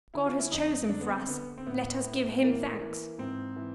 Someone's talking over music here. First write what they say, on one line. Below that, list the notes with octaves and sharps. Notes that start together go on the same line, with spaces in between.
God has chosen for us; let us give Him thanks.
D3 E4
F4
E4
F2 D#4
D3 D4
B3
C4
D3 B3
C4
A2 B3
A2
E3 A#3
E3
G#2 C4
E3